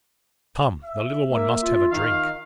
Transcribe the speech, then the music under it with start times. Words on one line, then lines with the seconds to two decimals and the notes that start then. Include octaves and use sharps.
Come! the little one must have a drink.
0.84 E5
1.29 A#3
1.61 F4
1.91 D#3 F5